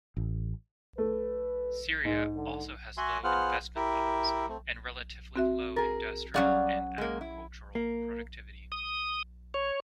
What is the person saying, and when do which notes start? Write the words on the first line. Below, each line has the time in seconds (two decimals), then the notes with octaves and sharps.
Syria also has low investment levels, and relatively low industrial and agricultural productivity.
0.17 A1
0.98 A3 B4
2.05 G#2 G#3
2.36 D3
2.97 F#4 E5 F#5 G#5 C6
3.24 B3 F4 G#4 C5 F#5 F6
3.76 E4 G4 A#4 E5
4.49 A3 C4
5.36 C4 F#4 E5
5.76 G#4 A#4 A6
6.34 F#3 G3 C#4 F#4 G#4 D5 F5 A6
6.98 G#3 A#3
7.21 E4
7.75 A#3
8.72 D#6
9.54 C#5